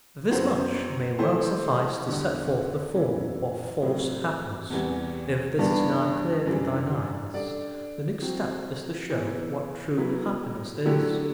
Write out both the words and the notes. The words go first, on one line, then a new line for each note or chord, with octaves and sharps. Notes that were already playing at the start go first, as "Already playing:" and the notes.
'This much may well suffice to set forth the form of false happiness; if this is now clear to thine eyes, the next step is to show what true happiness is.'
F#2 F#3 B3 F#4 C5
E3 A3 E4 A4 C5
E2 D3 G3
F#2 E3 B3 E4
A2 F#3 C4
E2 C3 E3 G3
G2 E3 G3 B3 D4
F#2 E3 G3 D4
G3 D4 A4 D5
F#3 C4 F#4
E3 B3 E4
F#3 B3 E4
D3 F#3 A3 E4 G4